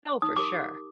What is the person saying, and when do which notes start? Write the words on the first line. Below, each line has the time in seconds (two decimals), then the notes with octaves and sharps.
Oh, for sure.
0.22 D#4 D#6
0.36 G4 A#4 D6